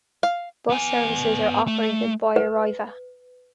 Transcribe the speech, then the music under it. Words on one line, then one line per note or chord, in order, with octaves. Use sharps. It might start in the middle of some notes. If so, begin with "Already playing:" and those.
Bus services are operated by Arriva.
F5
B3 G#5
A3
B4